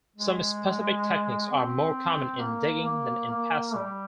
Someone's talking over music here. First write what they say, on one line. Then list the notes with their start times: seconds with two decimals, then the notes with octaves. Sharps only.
Some specific techniques are more common in digging than in passing.
0.16 G#3
1.51 C4
2.40 A#3
2.85 A#3
3.30 A#3
3.75 G3